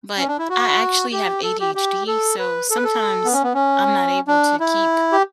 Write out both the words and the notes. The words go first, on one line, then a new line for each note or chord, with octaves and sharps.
but I actually have ADHD, so sometimes I'm not able to keep
C#4
D4
E4
F#4
G4
A4
G4
G4
A4
B4
A4
B4
A4
B3
C#4
B3
C#4
D4
E4
G4